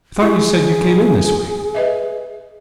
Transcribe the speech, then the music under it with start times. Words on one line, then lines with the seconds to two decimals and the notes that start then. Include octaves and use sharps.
"I thought you said you came in this way."
0.20 G#3 E4 G4 G#4
1.74 B4 D#5 E5